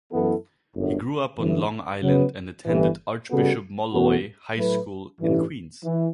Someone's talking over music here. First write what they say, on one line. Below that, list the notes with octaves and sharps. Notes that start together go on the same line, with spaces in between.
He grew up on Long Island and attended Archbishop Molloy High School in Queens.
F#2 E3 B3 E4 A4
G1 F#2 D3
G1 F#2 E3
C#3 F#3 B3
G1 G2 E3
C#3 G3 B3 F#4 A4
E2 B2 A3 C#4 F#4
A2 F#3 A3 E4 B4
A1 G2 E3
E3